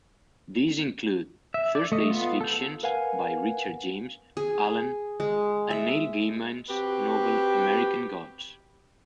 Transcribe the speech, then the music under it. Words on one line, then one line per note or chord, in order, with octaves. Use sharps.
These include "Thursday's fictions" by Richard James Allen and Neil Gaiman's novel "American Gods".
E5
D5
A3 D#5
B3 F4
A4 G6
A#4 B4 F5 F#5 G#5
G#4
G#3
E5
C4 F#4 G4 B4